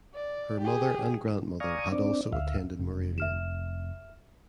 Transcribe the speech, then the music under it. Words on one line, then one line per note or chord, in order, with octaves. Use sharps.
Her mother and grandmother had also attended Moravian.
D5
G4 G#4
D5 F5 G#5 A#5 C#6 D#6
C4 D4 D5
D2 E5 F5
F1
E5 F6 E7